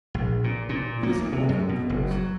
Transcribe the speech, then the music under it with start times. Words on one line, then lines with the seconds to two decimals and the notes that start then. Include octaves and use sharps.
There was an awkward pause.
0.14 A#1
0.44 A#2
0.69 A#2
1.03 A#3
1.19 D2
1.32 C3
1.49 F#2
1.69 B2
1.90 F#1
2.11 F#3